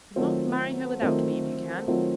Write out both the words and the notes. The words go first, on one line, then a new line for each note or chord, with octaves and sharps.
If not, marry her without me if you can.
D#3 F#3 A3 C4 F4
D#3 F#3 A3 C4 F4
D#3 F#3 A3 C4 F4